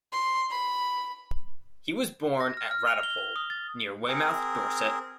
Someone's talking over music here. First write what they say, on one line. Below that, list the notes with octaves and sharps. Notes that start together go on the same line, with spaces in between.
He was born at Radipole, near Weymouth, Dorset.
C6
B5
A#6
F6
F6
F7
G7
D#6
A6
C4 G#4 A#4